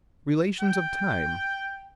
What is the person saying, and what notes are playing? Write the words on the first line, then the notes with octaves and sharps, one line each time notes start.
Relations of Time.
G5